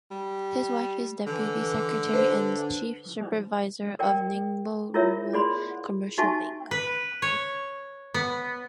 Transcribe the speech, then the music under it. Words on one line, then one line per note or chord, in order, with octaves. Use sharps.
His wife is deputy secretary and chief supervisor of Ningbo Rural Commercial Bank.
G3
D3 E3
D4 B4 C5
A#4 D5 G5
E4 F4 A#4 C#5 E5
G#4 D5 B5 C6
D#4 F#4 E5 G#5 A5 C#6
B4
C#5
B3